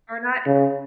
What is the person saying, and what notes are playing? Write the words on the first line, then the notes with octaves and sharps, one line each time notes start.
Or not
C#3